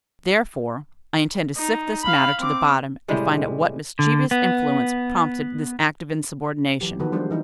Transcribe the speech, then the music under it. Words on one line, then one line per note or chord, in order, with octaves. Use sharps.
Therefore, I intend to sift this matter to the bottom and find out what mischievous influence prompted this act of insubordination.
D#4
F5 B5
C4 D6
A2 C3 G3 G#3
D3
B3
E3 F#3 G4
D#3 F3 B3 F#4 A4 B4
F3 G3 G#3 D4 G4 C5
E3 D#4 F4